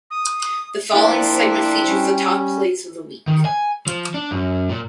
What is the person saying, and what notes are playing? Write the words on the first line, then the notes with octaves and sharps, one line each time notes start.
The following segment features the top plays of the week.
D#6
F3 A#3 D4 E4 C5 D5 G5
G3 C#4
D#3
G#5
F3
D4
F#2
A#2